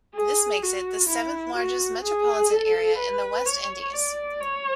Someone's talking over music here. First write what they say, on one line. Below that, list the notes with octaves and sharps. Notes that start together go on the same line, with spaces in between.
This makes it the seventh largest metropolitan area in the West Indies.
G#4
F#4
E4
F#4
G#4
A4
B4
C#5
D5
C#5